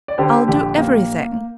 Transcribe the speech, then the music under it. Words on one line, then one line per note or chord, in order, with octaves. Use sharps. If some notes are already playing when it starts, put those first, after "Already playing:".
I'll do everything.
D5
D3 G4 C5
A#1 G4
A#3